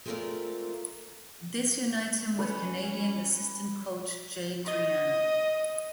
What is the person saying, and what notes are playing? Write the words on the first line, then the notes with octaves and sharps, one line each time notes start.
This unites him with Canadian assistant coach Jay Triano.
G#3 A3 C4 F4 A#4 D5
C#4 B4 E6
D#5